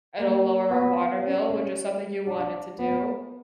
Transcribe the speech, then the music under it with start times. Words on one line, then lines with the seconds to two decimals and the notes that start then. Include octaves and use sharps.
it'll lower our water bill, which is something you wanted to do,
0.19 A#3
0.70 B3
1.23 C#4
2.27 D4
2.78 B3